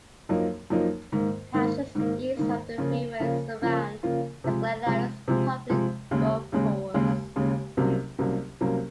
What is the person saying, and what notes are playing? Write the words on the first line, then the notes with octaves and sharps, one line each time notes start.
Houses east of the freeway surround the Glen Iris Public Golf Course.
F#2 F3 A#3 D#4
F#2 F3 A#3 D#4
G#2 D#3 A#3
G#2 D#3 A#3
G#2 D#3 A#3
G#2 D#3 A#3
C#3 F3 A#3 F4
C#3 F3 A#3 F4
C#3 F3 A#3 F4
C#3 F3 A#3 F4
C3 F3 G#3
C3 F3 G#3
C3 F3 G#3
C3 F3 G#3
D#2 C#3 G#3
D#2 C#3 G#3
D#2 C#3 G#3
D#2 C#3 G#3
C2 C3 F#3 A#3 C#4
C2 C3 F#3 A#3 C#4
C2 C3 F#3 A#3 C#4